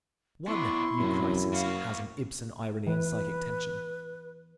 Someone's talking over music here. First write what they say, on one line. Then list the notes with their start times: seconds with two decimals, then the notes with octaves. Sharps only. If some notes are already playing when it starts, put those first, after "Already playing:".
One new crisis has an Ibsen irony and psychic tension.
0.48 B3 D4 E4 C6 C#6
1.00 F#2 C3 F#3
1.53 A#3 F#4 F5
2.87 E3 B4